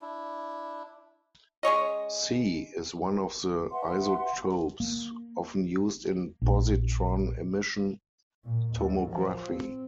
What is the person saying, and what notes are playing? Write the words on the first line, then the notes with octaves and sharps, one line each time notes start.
C is one of the isotopes often used in positron emission tomography.
D4 E4
G#3 C#4 C#5 D#5
B4 E5 F#5 C6
A#3
A#1
A#2
D#2
F3
C4